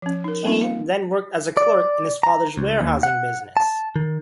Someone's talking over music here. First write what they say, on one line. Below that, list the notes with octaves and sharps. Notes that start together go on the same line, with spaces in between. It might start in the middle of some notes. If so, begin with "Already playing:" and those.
Kain then worked as a clerk in his father's warehousing business.
F3 C#4
D#4 A#4
G3 A#3 C4 C#4 D#4 F4
F5
D5
A#5
C#2
D#2
F#5
A5
D#3